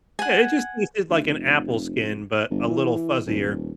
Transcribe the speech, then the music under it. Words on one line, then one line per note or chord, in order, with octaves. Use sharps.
Yeah, it just tasted like an apple skin, but a little fuzzier.
F#5 G#5
D2
F1
G1
E3
D#1